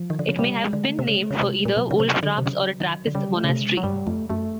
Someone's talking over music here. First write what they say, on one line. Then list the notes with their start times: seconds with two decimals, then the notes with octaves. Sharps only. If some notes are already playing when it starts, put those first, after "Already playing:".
It may have been named for either wolf traps or a Trappist monastery.
Already playing: F3
0.10 D#3
0.19 D3
0.29 C#3
0.39 C3 G3
0.62 G#3
0.73 D3
0.85 A3
0.99 C3
1.08 C#3 G#3
1.17 A3
1.27 C#3 G#3
1.42 C3
1.65 A#2
1.77 B2 F#3
1.91 C#3
2.00 C3
2.23 D3
2.38 C3
2.46 C#3
2.80 D#3
3.07 D3
3.15 C#3 G3
3.37 A3
3.44 C#3
3.49 C3
3.61 G#3
3.77 F#3
3.83 G2 G3
4.07 F2 A3
4.30 F#2 A3